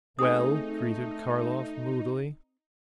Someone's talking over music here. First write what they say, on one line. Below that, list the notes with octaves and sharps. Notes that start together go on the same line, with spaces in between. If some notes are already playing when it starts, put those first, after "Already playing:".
"Well?" greeted Karlov, moodily.
A3 C4 D#4 G#4 D#6